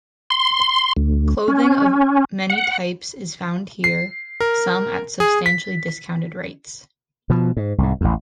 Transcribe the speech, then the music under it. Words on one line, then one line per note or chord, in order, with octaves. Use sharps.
Clothing of many types is found here, some at substantially discounted rates.
C6
D2
C#4
F#5
C7
A#4
G#4
B6
B2 F3
G#2
C2 G#2
A1 E2